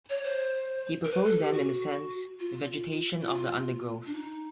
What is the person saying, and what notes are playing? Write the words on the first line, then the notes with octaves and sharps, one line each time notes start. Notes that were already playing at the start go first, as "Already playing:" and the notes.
He proposed them in the sense "Vegetation of the undergrowth".
C#5
C5
A#4
B4
A4
G4
F#4
F4
E4
F4
D4
D#4